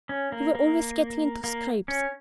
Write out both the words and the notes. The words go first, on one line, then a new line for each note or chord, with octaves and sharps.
You were always getting into scrapes.
C#4
A#3
A#3
A#3
C#4